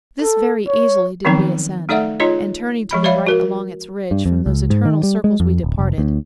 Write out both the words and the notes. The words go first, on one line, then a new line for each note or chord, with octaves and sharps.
This very easily did we ascend, And turning to the right along its ridge, From those eternal circles we departed.
A4
C#5
D#3 F3 F#3 B3 C4 D#4
A3 D#4 A4 D5 E5 F#5
D#4 F4 G#4 C#5 D#5
F3 G#3 B5
C#5 D5 E5 F5 B5
F#4 A#4
G2
F2
C#2
G#2
D#3
G3
G#3
F2
D1
F1
D2